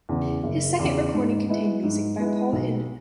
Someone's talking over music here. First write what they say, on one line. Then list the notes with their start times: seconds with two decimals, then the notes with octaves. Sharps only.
His second recording contained music by Paul Hindemith.
0.09 E2 C#3
0.44 F#1
0.79 E2 C#3
1.14 G#2
1.48 G#3 B3 E4
1.83 G#2
2.18 G#3 B3 E4
2.53 B1